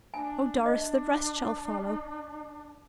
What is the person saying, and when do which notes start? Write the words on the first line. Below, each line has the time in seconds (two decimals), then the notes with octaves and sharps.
Oh, Doris, the rest shall follow.
0.14 D4 G#5
0.66 D#5